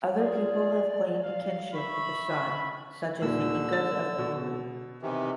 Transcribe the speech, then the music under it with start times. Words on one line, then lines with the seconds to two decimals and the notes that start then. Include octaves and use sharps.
Other people have claimed kinship with the sun, such as the Incas of Peru.
0.16 F4 G#4 D5
1.24 F5
1.74 E5 B5 C#6
3.22 D#1 D3 D#3 E6
3.73 A6
4.18 B2
5.02 C3 D#3 E3